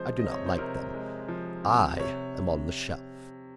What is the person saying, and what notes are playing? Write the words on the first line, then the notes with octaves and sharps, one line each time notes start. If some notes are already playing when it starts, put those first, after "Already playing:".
I do not like them. I am on the shelf.
Already playing: C3 F3 G#3 C5
D#5
C3
C#5
C5
C3 A#4
G#3
F3
C3
C3 C#5